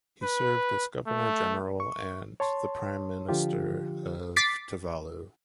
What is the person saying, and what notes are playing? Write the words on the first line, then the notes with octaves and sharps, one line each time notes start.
He served as Governor-General and the Prime Minister of Tuvalu.
B4
A3
C#6
C#5 A5 C6
D3 F3 F4 G4
D6 A6 B6 C7 D7